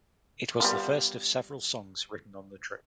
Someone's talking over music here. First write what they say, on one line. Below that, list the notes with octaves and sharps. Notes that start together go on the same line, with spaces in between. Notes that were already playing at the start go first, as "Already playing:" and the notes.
It was the first of several songs written on the trip.
G3 B3 F4